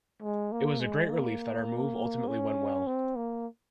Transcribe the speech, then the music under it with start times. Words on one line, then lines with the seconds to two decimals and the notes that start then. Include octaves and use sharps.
It was a great relief that our move ultimately went well.
0.22 G#3
0.52 A#3
0.80 G#3
1.10 A#3
2.28 C#4
2.87 C4
3.16 A#3